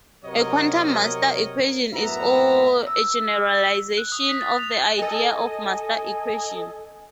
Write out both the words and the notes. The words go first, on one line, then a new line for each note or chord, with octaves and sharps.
A quantum master equation is a generalization of the idea of a master equation.
C3 F#3 A#4 C#5 D#5
F#2 A2 B3 E5 A#5
E6
F#6
D#6
B6
A6
F7
A4 D#5 G#5